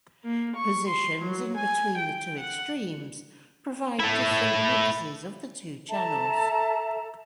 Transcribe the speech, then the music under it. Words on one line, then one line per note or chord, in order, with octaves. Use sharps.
Positions in between the two extremes provide different mixes of the two channels.
A#3
C#6
C6
F#3
G#5
G5
F#5
A3 E4
A4 E5 A5 A#5